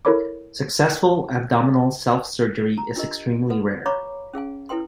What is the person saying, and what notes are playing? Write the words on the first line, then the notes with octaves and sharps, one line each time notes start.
Successful abdominal self-surgery is extremely rare.
E4 A4 A#4 C#5 B5 D6
A#5
D4 F4 G4 A#4 D#5
F#4 A4 B4 F#5
C#5 F5 A#5 B5 C#6 D6
C#4 G#4 F5 G#5
E4 A4 B4 G5 C6